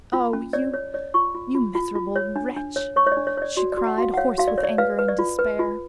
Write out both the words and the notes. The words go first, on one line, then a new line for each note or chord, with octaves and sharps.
"Oh, you--you miserable wretch!" she cried, hoarse with anger and despair.
F4
C#4
C#5 D5
C#5
C#5 D5
F4 C#6
F4
F4
F4
F4
C#5
D4
D4
C#5
C#5 C#6
C#5
D5
D4
C#5
C#5 D5
F#4 D5
D5
F#4
F#5
F#4 F5
F#5
C#5 F5
F#4 F5
D5
C#5
D5
B4 F5
B4
D5
F4
B4
F4